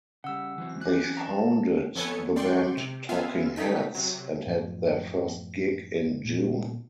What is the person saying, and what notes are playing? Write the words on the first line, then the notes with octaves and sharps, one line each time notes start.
They founded the band Talking Heads and had their first gig in June.
C#3 G3 F#5 E6
E3 F#3 C4
C#4 F#6
A5 A#5
F2 B3 A4 C#5 G#5 C#7
G#2 D5 G5 C6 C#6
C3
B3 F4 E5 F5 G#5
A3 D#4 B6
C3 F#3
F#2 A2 F3
A#2